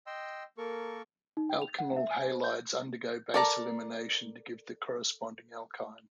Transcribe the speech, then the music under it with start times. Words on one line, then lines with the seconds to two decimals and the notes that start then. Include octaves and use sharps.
Alkenyl halides undergo base elimination to give the corresponding alkyne.
0.07 D#5 G5 C6 E6
0.58 A#3 A4 A#4 C#6
1.37 D#4
1.49 G5
1.62 F7
1.79 F#5
1.96 E5
2.11 G#5
2.30 C5
2.44 G6
3.34 A4 A#4 D5 A5 A#5